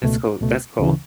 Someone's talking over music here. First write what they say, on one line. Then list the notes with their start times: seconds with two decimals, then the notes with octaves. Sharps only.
That's cool, that's cool.
0.03 C#2 B2 A3
0.41 C#2 B2 A3
0.79 D2 C#3 E3